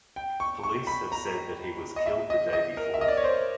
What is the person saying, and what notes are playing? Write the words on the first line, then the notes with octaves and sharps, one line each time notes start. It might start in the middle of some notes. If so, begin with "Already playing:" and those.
Police have said that he was killed the day before.
G5
C#6
C#6
B5
A#5
D#5
E5
D#5
D#5
A#4
E5
D#5
D5
C#5
C5